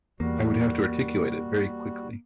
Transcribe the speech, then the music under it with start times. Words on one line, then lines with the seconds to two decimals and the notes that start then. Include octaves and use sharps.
I would have to articulate it very quickly.
0.20 E2 G3 A#3 F#4